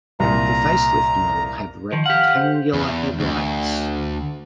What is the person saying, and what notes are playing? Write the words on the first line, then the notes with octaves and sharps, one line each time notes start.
The facelift model had rectangular headlights.
C2 A#2 A#5
D#3 F3
G4 F5 F#5
C5
E2
D2